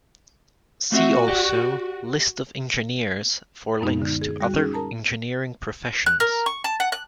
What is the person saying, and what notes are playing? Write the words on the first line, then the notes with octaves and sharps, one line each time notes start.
See also List of engineers for links to other engineering professions.
A3 C4 F#4 E5
G4 D5
F#2 A#2 G#3 B3 D#4
D3 D#4
G#4
G3 F#4 F#6
C#4 D#4 G#4
A#4 A5 A#5 D#6
F#6
A#4
C#6
A5
F#5
F#6